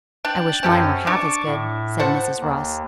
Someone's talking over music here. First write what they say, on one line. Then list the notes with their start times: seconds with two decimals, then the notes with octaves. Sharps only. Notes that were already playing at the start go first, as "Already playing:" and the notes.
"I wish mine were half as good," said Mrs. Ross.
0.25 D4 G5 F#6 A6
0.63 F#2 C4 C#4 G4 A4
1.07 D4 A5 C#6 D6
1.46 A2
2.00 A4 C5 F#5
2.40 D#2